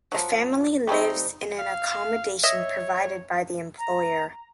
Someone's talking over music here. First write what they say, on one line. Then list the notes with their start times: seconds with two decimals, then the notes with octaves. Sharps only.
The family lives in an accommodation provided by the employer.
0.12 F3 F#3
0.87 G3 A3 C4 D#4
1.59 F5
2.43 C#5 D#5 E5
3.78 A#5